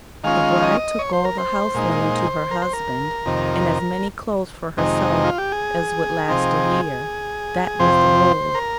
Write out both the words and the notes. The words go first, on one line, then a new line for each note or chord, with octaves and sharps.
The bride took all the house-linen to her husband, and as many clothes for herself as would last a year; that was the rule.
D#3 G#3 C#4 F4 F5
D#5
C#5
C5
A#4
C5
A#2 G#3 D#4
A#4
C5
A#4
F2 C3 D#3
F2 C3 D#3 G#3 D#4
F4
G4
G#4
C3 F3 C4 D#4
F2 C3 F3 C4 C5
A#4